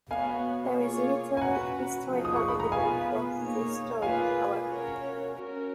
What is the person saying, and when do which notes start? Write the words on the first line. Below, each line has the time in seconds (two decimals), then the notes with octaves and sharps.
There is little historical evidence for this story, however.
0.11 B3 F#4 C#5 F5 G#5
0.76 A#3 F4 G#4 C#5
1.37 G#5
1.41 C#4 F#4 B4 F#5 A#5
2.06 F3 A#3 D#4 G#4
2.25 D#6
2.36 C#6
2.48 B5
2.60 A#5
2.72 B3 F4 G#4 B4 F5 G#5
3.37 A#3 D#4 G#4 C#5
4.02 A#3 F4 G#4 B4 F5 G#5
4.68 C#4 F#4 A#4 C#5
5.32 C#4 F#4 A#4